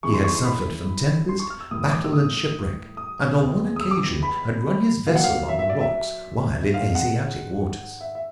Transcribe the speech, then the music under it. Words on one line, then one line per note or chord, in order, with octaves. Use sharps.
He had suffered from tempest, battle and shipwreck, and on one occasion had run his vessel on the rocks while in Asiatic waters.
C#3 E3 G#3 B3 C#6
C6
C#6
C6
B5
C6
C#6
F6
E6
A2 E3 G3 A#3 D#6
D6
E6
D#6
D#6
E2 C3 D#3 G#3 B3
D#6
E6
D6
B5
A#2 F#3 A#3 F5
F#5
F5
E5
E5
D5
E5
G#2 D#3 G#3 F5
F#5
E5
E5